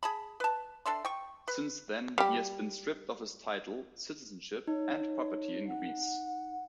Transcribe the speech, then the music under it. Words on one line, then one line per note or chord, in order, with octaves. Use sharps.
Since then, he has been stripped of his title, citizenship and property in Greece.
G#4 A5 B5
B4 A5
D4 A4 E5 C6
G5 C#6
B4
G3 G4
D#4 C#5
F#5